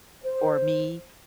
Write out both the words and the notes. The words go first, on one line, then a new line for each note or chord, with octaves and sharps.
for me,
C5